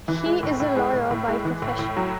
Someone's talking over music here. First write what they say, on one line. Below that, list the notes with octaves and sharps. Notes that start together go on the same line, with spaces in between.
He is a lawyer by profession.
E3
G#3
A2
A2
G#3
A2
A2
G#3
E3
A2
A2
F#3